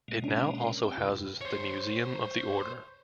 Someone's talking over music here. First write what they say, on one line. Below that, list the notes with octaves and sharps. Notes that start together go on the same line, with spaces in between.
It now also houses the Museum of the Order.
B2 G#3 A#3
C#3 C#4 D4
A#4
C4 G4
F2 C3 F4 B4 G5
C5 C#5